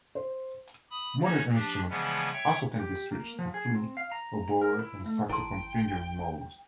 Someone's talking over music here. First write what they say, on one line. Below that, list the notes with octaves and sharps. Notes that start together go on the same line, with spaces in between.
Modern instruments also can be switched to flute, oboe, and saxophone fingering modes.
C5
B5 D#6
C#4 D#4 F#4 C#5
F3 D4 G4 A6
C#3 E3 F3 G3 G#3 B3
C#5 E5 G5 C#6
G4
A#3
F3
G#4
C4
F5
A#5
A#4
E4
A3
G#1 E4 G5 A5 C6